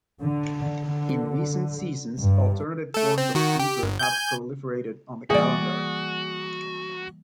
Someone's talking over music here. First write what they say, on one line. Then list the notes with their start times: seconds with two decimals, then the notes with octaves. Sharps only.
In recent seasons alternative forms of snooker have proliferated on the calendar.
0.20 D3
0.83 D3
2.18 G2
2.94 A3 A4
3.18 C4
3.35 D#3 F#4
3.59 G4
3.83 G1
3.99 G#5 G6
5.30 E3 G3 A#3 F#4 G#4 D5